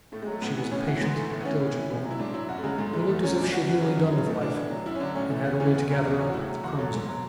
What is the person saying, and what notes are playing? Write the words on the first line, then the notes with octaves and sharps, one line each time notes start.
She was a patient diligent woman, who looked as if she had nearly done with life, and had only to gather up the crumbs of it.
A2 A3
G#3
F#3
A3
A2 B3
E3 B3
A2 C#4
E3 F#4
G#2 B3
E3 A3
A2 A3
B3
E3 C#4
A2
E3
A2
F#3
E4
G#2 D4
F#3 E4
F#2 F#4
A3
C#3 F#3 G#3
G#2 A3
E3 G#3
E2 A3
D3 F#3 C#4
A2 D4
E3 F#4
F#2
C#3 F#3
F#2
C#3 F#3
A2 A3
E3 D4
A2
F#3
F#2 E4
C#4
D3 F#3 D4
A2 C#4
E3 A3
E2 B3
C#3 E3 C#4
A3
E2 B3
D3 F#3 C#4
E2 D4
B2 F#3 C#4
F#4
A2 E4
F#3
E2 F#4
B2 F#3 A4
G#2
F#3